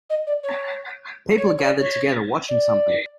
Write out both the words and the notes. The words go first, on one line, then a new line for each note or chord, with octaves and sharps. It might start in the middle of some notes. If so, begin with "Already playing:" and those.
People are gathered together watching something.
D#5
D5
C#5
C#5
D5
C#5
D5
C#5
D5